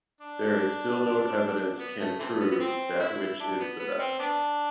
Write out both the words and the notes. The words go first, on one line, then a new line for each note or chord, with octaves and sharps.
There is still no evidence can prove that which way is the best.
D4
B3
A3
C3 E3 A3
B3
B3
C4
E4
D4
B3
B3
C4
B3 D4